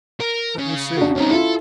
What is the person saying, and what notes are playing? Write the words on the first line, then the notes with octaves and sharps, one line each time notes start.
"Let me see?"
A#4
C#3
D4 F#4
C#2 C4 C#4 D#4
E4 F4 A4